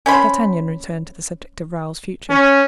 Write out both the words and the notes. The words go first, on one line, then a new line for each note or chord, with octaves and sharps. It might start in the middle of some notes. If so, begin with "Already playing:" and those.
D'Artagnan returned to the subject of Raoul's future.
C#4 C5 B5
C#4